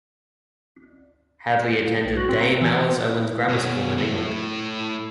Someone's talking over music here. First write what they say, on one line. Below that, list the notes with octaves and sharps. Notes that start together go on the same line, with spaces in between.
Hadley attended Dame Alice Owen's Grammar School in England.
B1
F#4
C4
A#5
E3
B2 C#4
A3 E4